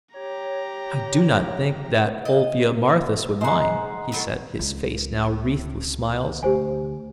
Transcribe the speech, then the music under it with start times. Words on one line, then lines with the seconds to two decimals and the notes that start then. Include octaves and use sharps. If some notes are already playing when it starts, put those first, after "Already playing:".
"I do not think that Olvia Marthis would mind," he said, his face now wreathed with smiles.
0.14 G4 C#5 A#5
2.25 D#5
3.41 G#3 D#4 C5 F#5
4.12 A2 F#3 B3
4.59 C#2
6.43 D2 G4 C5 G#5